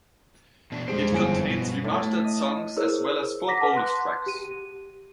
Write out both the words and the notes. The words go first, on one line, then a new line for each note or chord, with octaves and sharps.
It contains remastered songs, as well as four bonus tracks.
B2 D4
F2 G#3 G#4 C5 D7
G1 G#5 D7
B2
A2
D#5
E4 G#4 A#4 C5 C#5 E6
F#5 A#5 D6 A#6 B6
B4 F#5 A5
C6 F#6
G4 D#7